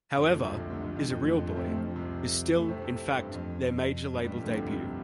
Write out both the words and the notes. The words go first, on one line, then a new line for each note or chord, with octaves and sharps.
However, "...Is A Real Boy" is still in fact their 'major label debut'.
F2 F3
D2 D3
C2 C3
C2 C3
D2 D3
F2 F3
F2 F3
F2 F3
D2 D3
F2 F3
A2 A3
C3 C4
A2 A3
F2 F3
C2 C3
A2 A3
C3 C4
A2 A3
G2
F2
G2
G2 G3
F2 F3
D2 D3
C2 C3
C2 C3